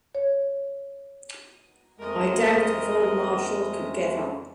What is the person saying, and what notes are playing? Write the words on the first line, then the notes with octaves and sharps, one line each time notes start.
I doubt if old Marshall could get up.
C#5
F2 G#3 A3 A#4 D#5